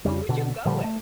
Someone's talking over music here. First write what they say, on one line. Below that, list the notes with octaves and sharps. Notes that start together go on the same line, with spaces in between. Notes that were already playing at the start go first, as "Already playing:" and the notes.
Who would you go with?
F2 C#3 G3
B2 D3
A#2 D3 F3 G3
A3